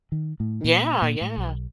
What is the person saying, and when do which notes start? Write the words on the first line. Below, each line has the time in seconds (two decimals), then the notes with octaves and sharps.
Yeah, yeah.
0.12 D#3
0.40 A2
0.64 A#2
1.02 A#2
1.21 A2
1.37 B1